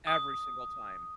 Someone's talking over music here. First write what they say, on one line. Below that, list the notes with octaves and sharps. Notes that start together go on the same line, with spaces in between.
every single time.
D#6